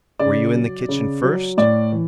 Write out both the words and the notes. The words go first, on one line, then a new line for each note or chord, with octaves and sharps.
"Were you in the kitchen first."
C#3 D5
F#3
C#3
F#3
A2 D5
E3